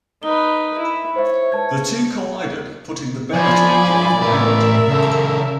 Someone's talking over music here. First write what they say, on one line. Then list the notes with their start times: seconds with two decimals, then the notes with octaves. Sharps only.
The two collided, putting the Benetton driver out.
0.23 D#4 B4 G7
0.78 E4
1.16 C5 C#5 E5
1.52 B4 A5 G#6
3.34 F3 D5 G#5 B5
4.22 A2 A#4 B4 E5
4.88 C#3 A4